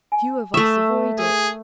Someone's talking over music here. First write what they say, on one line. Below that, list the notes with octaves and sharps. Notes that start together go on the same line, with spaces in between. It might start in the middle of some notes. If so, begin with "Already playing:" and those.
Few of us avoid it.
G#5
A3 E5 C#6 D#6
G#4 A#4